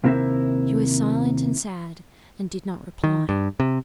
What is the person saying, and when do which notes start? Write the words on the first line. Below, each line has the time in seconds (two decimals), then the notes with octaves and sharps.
She was silent and sad and did not reply.
0.04 D#2 C3 E4 A#4 C5 E5
3.04 D#3
3.29 G2
3.60 C3